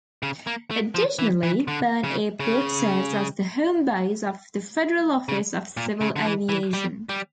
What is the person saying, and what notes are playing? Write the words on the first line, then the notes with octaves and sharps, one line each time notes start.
Additionally, Bern Airport serves as the homebase of the Federal Office of Civil Aviation.
C#3
A#3
A3
F3
E3
E3
D3
C#3
C#3
C#3
A#2
C#3
D3
E3
E3
G3
G3